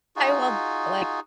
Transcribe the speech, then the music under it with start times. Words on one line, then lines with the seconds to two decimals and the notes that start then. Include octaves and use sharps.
love, like,
0.16 D#4 F4 F#4 G#4